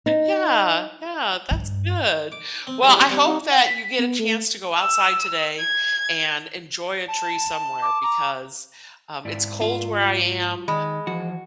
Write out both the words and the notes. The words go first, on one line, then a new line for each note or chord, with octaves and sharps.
Yeah, yeah, that's good. Well, I hope that you get a chance to go outside today and enjoy a tree somewhere because, um, it's cold where I am,
D#4
G2
D6
C4
G3 E4 G#4
G3 C4 F#5
D#4
F#5
B6
B3
A3
E6
G#6
A5
D6
A#5
G#2 E4 D5
F4
D#3 G#3 B5
E3 F3 F#4